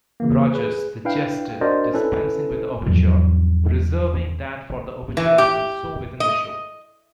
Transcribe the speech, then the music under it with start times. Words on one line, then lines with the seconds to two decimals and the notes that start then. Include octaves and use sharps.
Rodgers suggested dispensing with the overture, reserving that for the overture of the show-within-the-show.
0.20 C#3 E3 A#3
0.53 G#4 B4
1.05 D4 E4 B4 F5 G5
1.61 D4 F#4 A#4 C5 D5 D#5
1.93 C#4 E4 A4 B4
2.86 E2 G#2 F3 F#3
5.17 E3
5.38 G4
6.20 D#5